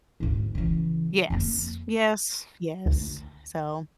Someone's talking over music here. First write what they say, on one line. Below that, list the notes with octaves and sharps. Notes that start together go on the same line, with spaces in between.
Yes, yes, yes. So
D2 G#2
C#3 E3
F2 A#3
D2